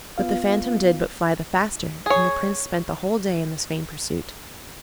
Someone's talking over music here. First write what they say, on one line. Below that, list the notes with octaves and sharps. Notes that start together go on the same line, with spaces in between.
But the phantom did but fly the faster, and the Prince spent the whole day in this vain pursuit.
B3 F4 F5
G#4 C#5